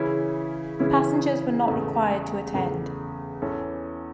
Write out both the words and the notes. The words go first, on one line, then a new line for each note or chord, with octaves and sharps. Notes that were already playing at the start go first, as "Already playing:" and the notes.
Passengers were not required to attend.
Already playing: C#3 E3 C#4 E4
C#3 E3 C#4 E4
E2 C#3 A3
E2 C#3 A3
E2 E3 C#4 A4